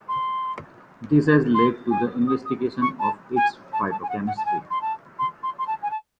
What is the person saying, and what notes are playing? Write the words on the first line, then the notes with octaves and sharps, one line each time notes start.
This has led to the investigation of its phytochemistry.
C6
C6
G#5
D#6
D#6
C#6
A5
G#5
A5
A5
G#5
F#5
F#5
A5
G#5
C6
A5
C6
C6
C6
A5
G#5
A5